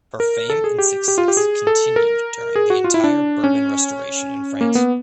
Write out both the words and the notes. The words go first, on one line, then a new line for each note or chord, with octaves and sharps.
Her fame and success continued during the entire Bourbon Restoration in France.
A#4
A4
G#4
G4
G4
F4
G4
G#4
A4
A#4
G#4
F#4
F4
E4
D4
C#4
A#3
B3